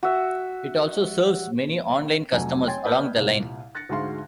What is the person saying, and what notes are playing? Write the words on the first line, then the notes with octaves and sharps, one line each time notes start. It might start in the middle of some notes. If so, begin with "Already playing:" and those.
It also serves many online customers along the line.
F#4 E5
F1 F#3 A3 G#5
C#5 G5 G#5 C6 G#6 A6
B4 D5 A5 F6 G6
C2 A#2
F#6 A6 A#6 C#7
D2 G#2 G#3 F#4 F5 C6